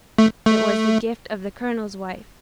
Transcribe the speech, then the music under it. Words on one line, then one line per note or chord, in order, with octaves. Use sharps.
It was the gift of the colonel's wife.
A3
A3